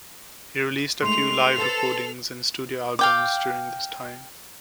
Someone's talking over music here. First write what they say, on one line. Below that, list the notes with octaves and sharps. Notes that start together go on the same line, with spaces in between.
He released a few live recordings and studio albums during this time.
G#3 A3 D#4 C6 C7 F7
A4 B4 C5
F5 G5 D6